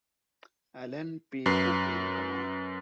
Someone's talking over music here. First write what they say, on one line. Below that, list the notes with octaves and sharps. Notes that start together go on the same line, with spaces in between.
Allen P. Cook in command.
F#2 B4 C7